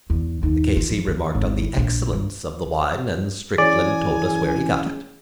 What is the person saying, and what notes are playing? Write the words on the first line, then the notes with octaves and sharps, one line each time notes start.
The K.C. remarked on the excellence of the wine, and Strickland told us where he got it.
E2
D#2
F4
F3
D2
G#1
E4
A#1
G2
E3 C#4 G#4 D5 G#5